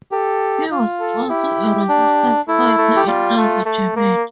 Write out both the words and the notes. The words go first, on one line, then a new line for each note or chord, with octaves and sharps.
He was also a resistance fighter in Nazi Germany.
G4 A4
F4
A4
E4 G4
D4
A3 E4
A3
G4
G3 F4
A3
A3
A#3